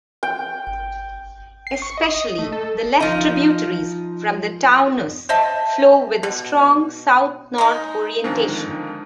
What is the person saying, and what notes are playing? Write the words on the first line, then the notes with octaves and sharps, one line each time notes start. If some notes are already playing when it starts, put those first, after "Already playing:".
Especially the left tributaries from the Taunus flow with a strong south-north orientation.
G5
C7
C#6
D#5
A3
A4
F3 D#4
C5 D#5 E5 A5
B2
G#3 D#4
F2 G#2 D3 D#3 F3